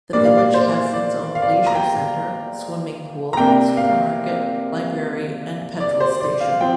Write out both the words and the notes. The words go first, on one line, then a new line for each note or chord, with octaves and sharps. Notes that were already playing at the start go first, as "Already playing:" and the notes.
The village has its own leisure centre, swimming pool, supermarket, library and petrol station.
A#2 G3 A#3 D4 D5
F5
D5
C5
D5
F5
D5
F5
A#5
G5
A#5
C3 A#3 D4 G5
F5
D5
C5
D5
F5
F3 C4 G5